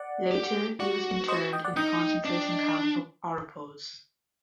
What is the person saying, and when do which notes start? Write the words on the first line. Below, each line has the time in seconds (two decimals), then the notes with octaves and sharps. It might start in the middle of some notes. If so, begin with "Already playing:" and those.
Later he was interned in the concentration camp of Oropos.
Already playing: D5 F#5
0.31 G4
0.80 F#4 D5 F#5
1.28 C5 D#5
1.53 D#5 G5
1.64 D5 F#5
1.77 D#4 D#5 G5
2.25 D4